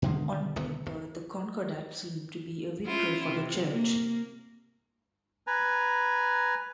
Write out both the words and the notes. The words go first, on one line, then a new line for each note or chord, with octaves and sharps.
On paper the concordat seemed to be a victory for the Church.
B2 D3 D#3 G#3
C#4 E4 F4
C3
A#3
B4 G#5 A#5